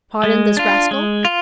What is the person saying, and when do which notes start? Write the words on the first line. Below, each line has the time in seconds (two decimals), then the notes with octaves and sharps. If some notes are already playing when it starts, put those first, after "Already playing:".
"Pardon this rascal?"
0.24 G#3
0.57 D4 F4
0.91 G#3
1.25 F4